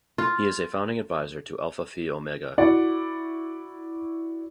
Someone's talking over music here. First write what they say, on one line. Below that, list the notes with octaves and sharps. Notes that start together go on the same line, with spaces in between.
He is a founding advisor to Alpha Phi Omega.
F4
E4 F#4 D5 F#5